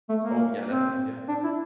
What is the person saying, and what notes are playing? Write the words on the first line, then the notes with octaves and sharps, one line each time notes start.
Oh, yeah, definitely, yeah.
A3
A#3
C4
D4
E4